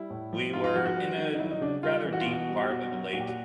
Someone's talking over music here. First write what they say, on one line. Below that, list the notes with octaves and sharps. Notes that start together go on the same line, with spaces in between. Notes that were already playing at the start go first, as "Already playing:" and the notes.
we were in a r rather deep part of the lake,
Already playing: G3 E4
A2
F3
G#2 F4
F4
F3 F#4
F#4
G3
D#3
D#4
F#3 E4
D#4
C#3 D4
G3 F4
E3
F#4
F4
B2 F#4
G3
G4
B2 F#4
F#3
A#2 F#4
G4
F#4